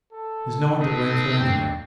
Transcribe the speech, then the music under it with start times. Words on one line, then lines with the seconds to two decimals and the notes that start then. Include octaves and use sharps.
"Is no one to blame for anything?"
0.13 A4
0.81 B3 C4 D#4
1.39 F#2 A2 D3 G5